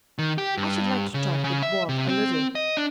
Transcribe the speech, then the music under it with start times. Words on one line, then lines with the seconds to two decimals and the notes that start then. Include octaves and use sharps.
"I should like to talk with Bob a little."
0.18 D#3
0.38 G4
0.57 G2
1.14 C#3
1.44 C#3
1.63 E5
1.89 C3
2.09 C4
2.55 D#5
2.77 D4